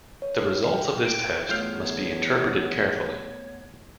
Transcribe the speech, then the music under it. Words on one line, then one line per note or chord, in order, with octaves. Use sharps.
The results of this test must be interpreted carefully.
C#5
F6
G5
D7
E2 A3 B3 F4 C#5 F5 G5